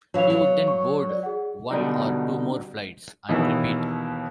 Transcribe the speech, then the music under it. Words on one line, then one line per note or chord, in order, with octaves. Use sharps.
He would then board one or two more flights and repeat.
E3 F#3 C#5 F5 F7
F#3
C#6
D5
G#4 F#5
B2 D3 G3 D#4
D#2 B2 D#3 E3